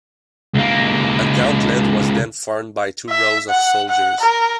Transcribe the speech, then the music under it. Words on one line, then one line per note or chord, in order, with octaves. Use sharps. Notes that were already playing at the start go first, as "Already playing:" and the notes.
A gauntlet was then formed by two rows of soldiers.
C#2 A#3
E5
F#5
F#5
A#4